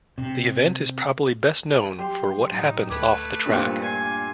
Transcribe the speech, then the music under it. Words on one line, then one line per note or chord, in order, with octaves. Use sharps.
The event is probably best known for what happens off the track.
C3
F#3 G4 C6
A2 F#3 D#4
D2 A3 B4 D6 G#6
G2 A#2 F4 C5 E6
D4 G#5 C7